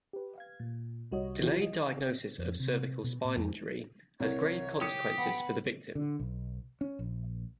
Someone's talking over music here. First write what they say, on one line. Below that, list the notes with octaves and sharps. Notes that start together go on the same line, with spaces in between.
Delayed diagnosis of cervical spine injury has grave consequences for the victim.
G4 B4
F5 G#6
A#2
C2 G3 F#4 C#5 D#5
E3 D#4 F4 G4 G#4
D#5
F2
C3
B2
A#2
F2
C2 A#4 C#5
G4 D#6 C#7
B3 F#5 B5
D3
B1
C#4
A#1